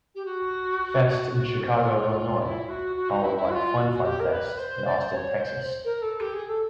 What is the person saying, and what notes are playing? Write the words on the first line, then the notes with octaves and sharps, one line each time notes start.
Fest in Chicago, Illinois, followed by Fun Fun Fest in Austin, Texas.
G4
F#4
F#4
F#4
C5
A#4
F4
E4
F#4
F#4
D#4
E4
E4
F#4
F4
F#4
G4
A#4
B4
C5
D5
C5
C#5
C5
A#4
A4
G4
G#4
A4